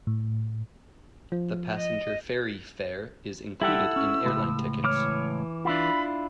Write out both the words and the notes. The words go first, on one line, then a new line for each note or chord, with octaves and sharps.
The passenger ferry fare is included in airline tickets.
A2
F3
D#5
G3 E4 G4 A4 E5 F#5 E6
C#4
C#2 A2
E3 C#5 D6 F6
D4 E4 F4 B5